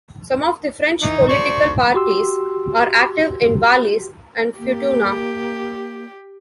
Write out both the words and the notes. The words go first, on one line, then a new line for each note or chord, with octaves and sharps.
Some of the French political parties are active in Wallis and Futuna.
E3 D#4
D2 C5 D5 C#6
F#4 G4 C6 E6
A#3 G4